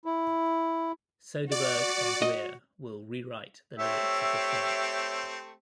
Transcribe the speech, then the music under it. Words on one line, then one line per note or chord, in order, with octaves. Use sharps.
Soderbergh and Greer will rewrite the lyrics of the songs.
E4
F#4 D5
D#5
A3 C4 G4 C#5 E5